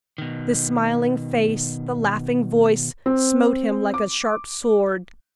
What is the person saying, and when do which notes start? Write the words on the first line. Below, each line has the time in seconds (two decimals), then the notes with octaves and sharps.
The smiling face, the laughing voice, smote him like a sharp sword.
0.18 B2 D#3
3.06 C4
3.94 D6